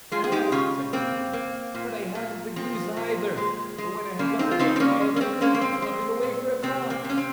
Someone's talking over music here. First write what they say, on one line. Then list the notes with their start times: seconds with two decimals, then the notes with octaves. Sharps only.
'Ah!' said Gudbrand, 'but I haven't the goose either; for when I had gone a bit farther I swopped it away for a cock.'
0.12 G#3 F4 G#4
0.24 G#4
0.32 D#4 G4
0.52 C#3 C#4 F4
0.93 A#3 C4
1.33 A#3
1.75 A#2
2.15 A#2
2.56 F3 C4
2.96 A#2
3.37 G#3
3.78 G#3
4.19 C#3 A#3
4.39 C4 D#4
4.51 F4
4.59 C#3 C4 D#4
4.76 C4
4.80 A#3 C#4
5.00 G#3
5.16 C#4
5.21 C4
5.41 G#3 A#3 C#4
5.54 A#3
5.61 C4
5.82 G#3
6.23 A#2
6.63 C3 C4
6.90 A#3
7.04 C3
7.10 C#4
7.17 C4